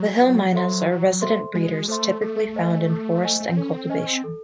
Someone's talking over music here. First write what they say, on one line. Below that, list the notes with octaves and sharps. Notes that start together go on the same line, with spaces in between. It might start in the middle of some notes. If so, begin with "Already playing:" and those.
The hill mynas are resident breeders typically found in forest and cultivation.
Already playing: F#3
F#4
A4 C5 E5 C6
F#4
A4 C5 E5 C6
G#3 F#4
A3 A4 C5 E5 C6
A3 A4
C5 D#5 G#5
A4
C5 D#5 G#5
A3
C4
C#4 A4
C4
C#4 C5 D#5 G#5
C4
A4